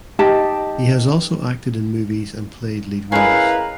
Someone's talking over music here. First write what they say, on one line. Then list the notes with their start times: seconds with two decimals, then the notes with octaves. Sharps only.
He has also acted in movies and played lead roles.
0.19 D#4 G4 D#5 A5
3.12 G#3 C#4 E4 A#4 B4 F5